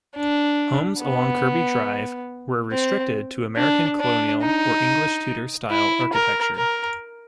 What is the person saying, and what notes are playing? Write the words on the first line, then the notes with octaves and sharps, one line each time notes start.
Homes along Kirby Drive were restricted to American Colonial or English Tudor style architecture.
D4
B3
C4
D4
D4
D#4
E4
A#4
A#4